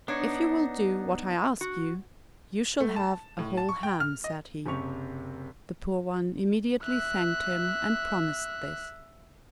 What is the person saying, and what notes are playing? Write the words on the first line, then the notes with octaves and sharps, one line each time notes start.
"If you will do what I ask you, you shall have a whole ham," said he. The poor one immediately thanked him, and promised this.
B3 D4 D#4 C#5
F#4
A3
A5
A2
A5
C#6
G5
F6
D#5
F#1 C3 G4 C#6 F7
E5 F#6